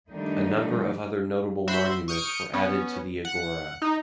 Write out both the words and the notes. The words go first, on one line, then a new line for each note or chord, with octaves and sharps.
A number of other notable monuments were added to the agora.
D#3 F3 G3 A3 D4 D#4
F#4 C5 E5 B5 C6
C#6 D#6 F6 G6 C#7 D7
B3 C#4
F#5
D#4